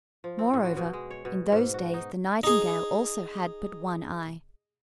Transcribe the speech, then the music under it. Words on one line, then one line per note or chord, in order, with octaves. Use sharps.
Moreover, in those days the Nightingale also had but one eye.
F3
C4
A2
F#4
B2
G#3
C#5
B2
G#2
F#4
D#4
D#4 G#4